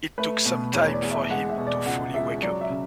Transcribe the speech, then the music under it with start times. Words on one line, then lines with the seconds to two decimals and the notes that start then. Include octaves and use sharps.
It took some time for him to fully wake up.
0.18 A3 B4
0.45 B2
0.74 E2 C#5
0.93 D5
1.02 E2
1.11 E5
1.30 G#3 F#5
1.49 E5
1.58 B2
1.67 D5
1.86 C#2 F#5
2.14 C#2 E5
2.43 F#3 D5
2.61 E5
2.70 C#3